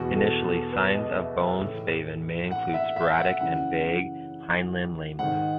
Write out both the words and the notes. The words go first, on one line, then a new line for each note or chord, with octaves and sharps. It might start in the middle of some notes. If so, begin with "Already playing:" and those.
Initially, signs of bone spavin may include sporadic and vague hindlimb lameness.
Already playing: E2 B2 F#4
A4
A4
B4
D#5
E5
E5
A2 E3
F#5
E5
E5
F#5
F#2 C#3 E3 F#5
G#2 D#3 F#5